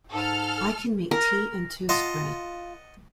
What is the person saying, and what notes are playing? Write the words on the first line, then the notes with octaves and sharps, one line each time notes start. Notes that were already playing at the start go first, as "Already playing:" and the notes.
I can make tea and toast bread.
G#2 A4 F6
A#4
F4 D#5 F#5 A5